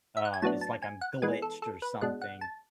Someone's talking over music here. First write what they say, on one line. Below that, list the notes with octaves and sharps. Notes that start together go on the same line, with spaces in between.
um, it's like I'm glitched or something,
E5
F#5
G#5
A2 F#3 B3 D4 A5
A5
G#5
F#5
E3 G#3 B3 G#5
A4
A4
B4
B2 G#3 D4 F#5
F#5
A5